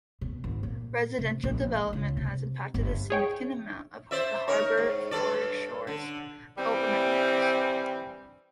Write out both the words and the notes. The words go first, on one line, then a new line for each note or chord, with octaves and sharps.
Residential development has impacted a significant amount of the harbour foreshores over many years.
B2
G#1
A#2
C3
A#1
C#2
C3
G1
G#4 C#5 G5
C5 D5 E5
D#4 A#4 C#5
G#2
G2 A4 D5
D3
E3 G3 C4